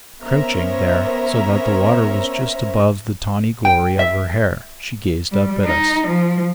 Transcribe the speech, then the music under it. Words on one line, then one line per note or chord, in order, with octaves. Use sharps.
Crouching there, so that the water was just above the tawny glory of her hair, she gazed up at us.
B3 C#4 A#4 C5 E5 A#5
G5
E5
G3
D#4
F3